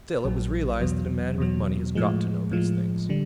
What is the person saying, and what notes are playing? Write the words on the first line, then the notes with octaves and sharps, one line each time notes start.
Still, it was realized that a man with money has got to know these things.
A#1 A#2 F#3
E2 B2 F#3
E2 B2 F#3
A2 F3 G#3
A2 F3 G#3
D3 G3